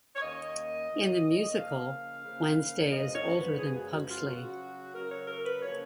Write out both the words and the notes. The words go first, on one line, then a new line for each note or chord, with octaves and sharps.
In the musical Wednesday is older than Pugsley.
C#5
D#2 D#3 A#3 C#4 D#5
D#2 D#3 A#3 C#4
C#3 F3 A#3 F5
C#3 F3 A#3
F#2 C#3 F3 G#3 B3 D#5
C#5
B4
F#2 C#3 F3 G#3 B3 G#4
F#4
F#4
F4
C#3 F#3 C#4 F#4
C#3 F#3 C#4 A#4
C#5
A#4
B4
C#3 F3 A#3 C#4 C#5